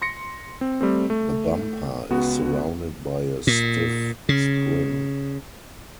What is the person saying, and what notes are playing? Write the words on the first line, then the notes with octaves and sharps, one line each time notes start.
The bumper is surrounded by a stiff spring.
C6 A#6 C#7
C4
G3 A3 C4
A3
C#2 B3 F#4
A#2
C#3